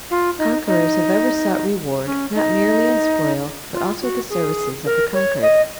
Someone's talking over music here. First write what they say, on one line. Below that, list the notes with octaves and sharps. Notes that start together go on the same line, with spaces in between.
Conquerors have ever sought reward not merely in spoil, but also the services of the conquered.
F4
D#4
D#4
C#4
D#4
F4
F#4
G#4
A#4
C#5
D#5